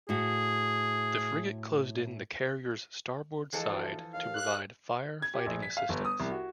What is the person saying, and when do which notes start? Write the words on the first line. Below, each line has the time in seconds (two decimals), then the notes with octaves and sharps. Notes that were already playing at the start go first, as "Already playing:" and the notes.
The frigate closed in the carrier's starboard side to provide fire-fighting assistance.
0.09 A2 F#4 G#4
3.53 E3 F3 G#3 A4
3.71 D2
4.14 D#2 F5
4.34 F#6
5.22 G#6
5.34 G4
5.46 A#1
5.63 B6
5.77 F5
5.89 G1
6.05 D#6
6.20 C2
6.32 F#4